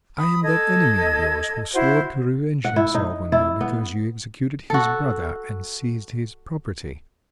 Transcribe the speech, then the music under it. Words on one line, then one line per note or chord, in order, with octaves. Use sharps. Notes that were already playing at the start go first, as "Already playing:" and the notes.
I am that enemy of yours who swore to revenge himself on you, because you executed his brother and seized his property.
B5 D#6
A4 D#5 G#6
E4 F#4 C5
F#5
E4
D#4
E4
B3
F#4 A4